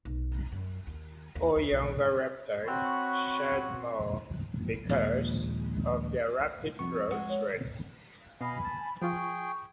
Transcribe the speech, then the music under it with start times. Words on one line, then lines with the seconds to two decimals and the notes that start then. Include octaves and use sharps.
O Younger reptiles shed more because of their rapid growth rate.
0.05 B1
0.52 F#2
0.87 D#2
1.35 D#2
1.56 D#2
1.70 A#1
2.68 C4 F#4 C#5 F#5 B5
4.89 A#1 D#2 A#2 G#3
6.79 C2 F2 B3 C#6
7.11 G#3 F#4
7.29 C#5
8.41 B2 D#5 F5 G#5 B5
8.64 A5
9.02 F3 F4 G#4 G5 C#6